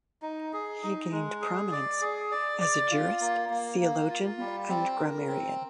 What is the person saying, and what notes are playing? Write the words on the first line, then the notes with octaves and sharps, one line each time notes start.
He gained prominence as a jurist, theologian and grammarian.
D#4
G#4
D#4
G#3
G#4
D5
G#4
D5
D5
F4
A#3
A#3
A#3
F4
G3
C4
A#4
C4